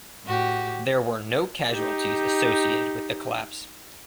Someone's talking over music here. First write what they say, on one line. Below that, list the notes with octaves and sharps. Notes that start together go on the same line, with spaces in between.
There were no casualties associated with the collapse.
A2 F#4 G4
D#4 G4